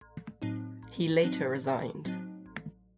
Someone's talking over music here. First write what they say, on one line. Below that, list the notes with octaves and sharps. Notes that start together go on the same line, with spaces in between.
He later resigned.
A1
A2 F#3 C4 D#4
A1
A2 F#3 C4 D#4
A1
A2 F#3 C4 D#4
A1